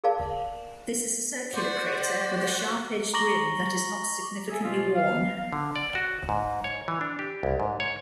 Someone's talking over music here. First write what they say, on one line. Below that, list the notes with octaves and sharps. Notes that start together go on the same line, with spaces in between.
This is a circular crater with a sharp-edged rim that is not significantly worn.
G#4 A#4 D5 F5 A5
F#4 C5 D5
A#5 C#6 D6 A#6 F#7 G7
G#4 A4 E5 G#5
B2 F3 A#3 C#4 F4
F5
D3
D5
F#4
G#2
C#5
E3
D4
G4
C2
G#2
C#5